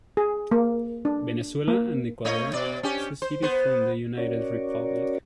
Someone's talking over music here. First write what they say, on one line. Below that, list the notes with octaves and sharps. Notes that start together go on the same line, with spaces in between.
Venezuela and Ecuador seceded from the united Republic.
G#4
A#3
D4
A#3
A3 C#5 D#5
B2 D5
C#4 G4
C5
B3 C5
C#4 F#4 A#4 C#5 D5